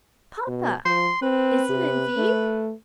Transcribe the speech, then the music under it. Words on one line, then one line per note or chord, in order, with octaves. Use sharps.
"Papa! is it indeed?"
B2
F3 C6
C4 B4
C3
A3